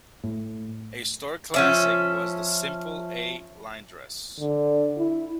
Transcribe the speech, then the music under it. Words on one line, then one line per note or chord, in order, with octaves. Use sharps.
A store classic was the simple A-line dress.
A2
F3 C#4 E5
D3
E4